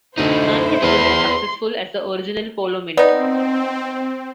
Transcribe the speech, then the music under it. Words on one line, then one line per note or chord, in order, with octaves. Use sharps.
None has been as successful as the Original Polo mint.
D2 A3 D#4 E4 C5
E2 G#4 B4 C6
B3 C4 D#4 D5